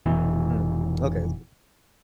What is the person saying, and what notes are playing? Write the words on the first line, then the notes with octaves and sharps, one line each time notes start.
Mm. Okay, I see
F1 B2 E3